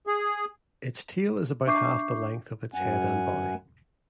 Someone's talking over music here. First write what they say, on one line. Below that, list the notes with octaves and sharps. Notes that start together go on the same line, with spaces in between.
Its tail is about half the length of its head and body.
G#4
D4 E5 C#6 D6 G6 C7
F#2 F#5 G#5